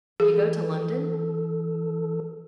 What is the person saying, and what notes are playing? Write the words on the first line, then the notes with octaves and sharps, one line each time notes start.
"You go to London?"
E3 G#4 A4